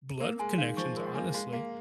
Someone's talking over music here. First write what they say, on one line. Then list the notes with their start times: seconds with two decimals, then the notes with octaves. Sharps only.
blood connections, honestly.
0.20 A#3 A#4
0.39 G#3 G#5
0.58 D#3 F5
0.77 F3 C#6
0.96 G#3 A#4
1.15 A#3 G#5
1.34 G#3 F5
1.52 A#3 F5